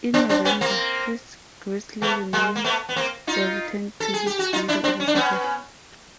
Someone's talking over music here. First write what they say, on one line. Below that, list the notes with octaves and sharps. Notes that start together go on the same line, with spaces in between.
In November his grisly remains were returned to his widow Elizabeth.
C4 D4
C4 D4
B3 C#4
A#3 C4
A3 B3
G#3 A#3
A#3
A3 B3
B3
A#3 C4
D#4 F4
A4
G#4
G4
F#4
D#4 F4
D4 E4
C4 D4
C#4
D4
B3 C#4